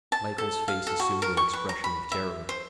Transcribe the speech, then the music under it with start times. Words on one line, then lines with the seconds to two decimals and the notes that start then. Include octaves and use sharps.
Michael's face assumed an expression of terror.
0.12 A5
0.38 A4
0.68 F5
0.87 A4
0.99 F#4
1.22 A#4
1.37 C#6
1.53 B4
1.69 A#5
1.84 B5
2.12 E5
2.49 C5